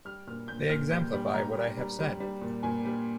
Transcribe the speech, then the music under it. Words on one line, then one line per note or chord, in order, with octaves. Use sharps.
They exemplify what I have said.
G3 F6
A#2 F6
A#2 G6
A#2 F6
G3 G6
G3
G3 A#5
G3
G3
G3
G3
A#2
A#2 G#5
G3